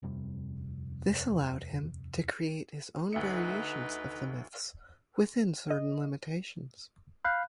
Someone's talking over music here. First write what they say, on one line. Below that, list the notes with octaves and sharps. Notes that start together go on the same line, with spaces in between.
This allowed him to create his own variations of the myths within certain limitations.
D#1 F2 C3 G3
D2 D#4 B4 E5 C#7
D#5
F5 B5 F#6 G6